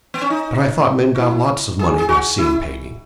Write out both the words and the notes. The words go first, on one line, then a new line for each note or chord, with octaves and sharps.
"But I thought men got lots of money by scene-painting?"
B3
C#4
D#4
F#4
E4
G#4
G#4
F#4
E4